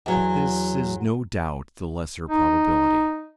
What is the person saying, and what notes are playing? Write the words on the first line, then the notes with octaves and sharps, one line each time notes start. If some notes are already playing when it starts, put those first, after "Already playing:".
But this is no doubt the lesser probability.
E2 F#3
D#4